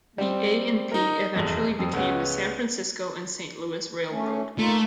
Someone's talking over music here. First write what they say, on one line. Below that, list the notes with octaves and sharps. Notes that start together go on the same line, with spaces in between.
The A and P eventually became the San Francisco and Saint Louis railroad.
G3 C4
D#4 A#4
F1 E2
F2
C#2 B3 C#4
A3 C#4
A3 A#3 D#4 F4